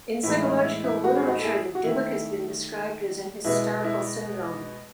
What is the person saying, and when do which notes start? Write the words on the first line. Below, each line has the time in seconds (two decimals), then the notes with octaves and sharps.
In psychological literature the Dybbuk has been described as an hysterical syndrome.
0.23 A2 E3 G#3 E4
0.43 D#4
0.64 E4
0.84 E4
1.04 F#4
1.15 G#4
1.27 D#4 F#4
1.39 A4
1.44 E4 G#4
1.75 F#4
1.83 D#3 A3 E4
3.44 B2 G#3 B3 E4
3.84 E4